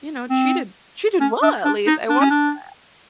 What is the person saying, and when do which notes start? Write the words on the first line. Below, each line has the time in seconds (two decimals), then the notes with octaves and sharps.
you know, treated treated well at least, I want that.
0.30 C4
1.20 C#4
1.42 D4
1.65 D4
1.87 D#4
2.10 D4
2.20 C#4
2.31 D4